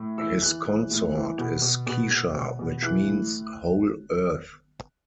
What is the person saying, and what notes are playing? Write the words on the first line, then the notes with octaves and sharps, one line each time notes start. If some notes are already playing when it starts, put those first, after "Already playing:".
His consort is Kishar which means "Whole Earth".
Already playing: A2
E3 E6
E3 F#6
E3
A2
E3
B2
B2
B2
B2
B2
B2
E3 F#6
A2